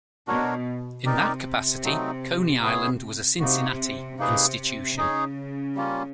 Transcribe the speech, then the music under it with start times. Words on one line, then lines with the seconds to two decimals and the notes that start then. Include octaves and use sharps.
In that capacity, Coney Island was a Cincinnati institution.
0.27 B2 D4 F#4 A#4 C#5
1.05 C3 D#4 G4 A#4 D5
1.83 F#3 A3 C4 D#4
2.62 B3 E4 G#4 C#5
3.40 C3 A#3 D#4 F#4
4.18 C3 A#3 D#4 G#4 B4
4.97 C#3 D#4 G#4 C#5
5.75 G3 A#3 C#4 F4